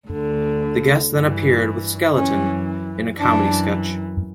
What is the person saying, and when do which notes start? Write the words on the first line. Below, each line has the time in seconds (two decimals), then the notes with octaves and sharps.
The guest then appeared with Skelton in a comedy sketch.
0.09 D2 D3
1.13 G2 E3
2.16 F#2 E3 C#4
3.20 F#2 E3 D4